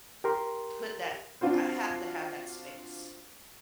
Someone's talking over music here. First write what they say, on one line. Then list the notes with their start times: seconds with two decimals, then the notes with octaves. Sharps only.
put that I have to have that space.
0.24 G4 A#4 C6
1.41 C4 D4 F4 F#4 C5